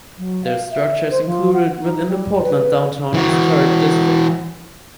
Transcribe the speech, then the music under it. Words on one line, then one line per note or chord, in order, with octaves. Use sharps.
The structure is included within the Portland Downtown Historic District.
F#3
F5
E5
C5
F3
F#5
D#4
G3
B4
E3 F#4